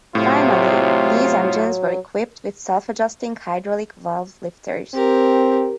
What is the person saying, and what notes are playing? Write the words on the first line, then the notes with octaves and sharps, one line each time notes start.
Finally, these engines were equipped with self-adjusting hydraulic valve lifters.
A2 C3 F#3 F4
C4 G4 A#4